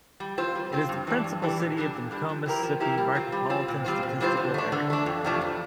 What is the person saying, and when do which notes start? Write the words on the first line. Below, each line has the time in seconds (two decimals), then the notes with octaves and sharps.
It is the principal city of the McComb, Mississippi Micropolitan Statistical Area.
0.20 G3
0.38 C4 F4 C5
0.55 G3
0.72 C4 F4 C5
0.89 G2
1.07 E3 G3 D4
1.24 G2
1.42 E3 G3 D4
1.60 A#2
1.77 G3 D4 A4
1.94 A#2
2.11 G3 D4 A4
2.29 F3
2.46 C4 E4 G4 A#4
2.63 F3
2.80 C4 E4 G4 A#4
2.98 G3
3.15 C4 F4
3.32 G3
3.50 C4 F4
3.68 A#2
3.85 G3 C4 F4 C5
4.03 A#2
4.20 G3 C4 F4 C5
4.37 D3
4.54 A3 D4
4.72 D3
4.90 A3 D4
5.06 F2
5.25 C3 F3 A3 D4
5.41 F2